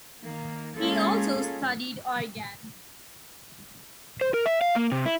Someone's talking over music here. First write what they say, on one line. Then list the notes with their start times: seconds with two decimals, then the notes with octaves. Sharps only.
He also studied organ.
0.21 D#3 A#3
0.77 G#3 A#3 C#4 F4 G#4 A4
4.21 C5
4.34 A#4
4.46 E5
4.61 F5
4.76 A#3
4.92 C3
5.06 E4